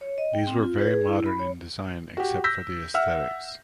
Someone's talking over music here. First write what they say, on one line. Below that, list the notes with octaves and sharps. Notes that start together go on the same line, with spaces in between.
These were very modern in design except for the aesthetics.
C#5
D#5
G5
C4
F4
B4
G#4
E4
B5
C#5
F#4 G4
E6 G6 A#6 B6
E5 F#5 E6 F6